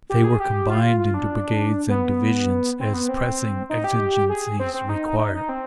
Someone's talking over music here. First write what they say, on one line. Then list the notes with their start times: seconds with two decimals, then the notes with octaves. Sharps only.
They were combined into brigades and divisions as pressing exigencies required.
0.10 G4
0.24 G#4
0.40 G4
0.69 F4
1.00 F4
1.14 D4
1.89 B3
2.80 C4
2.94 B3
3.09 C4
3.70 D#4
3.84 G4
4.29 G#4
4.60 C4
4.74 C4
4.89 D#4
5.19 D#4
5.34 D#4
5.49 C4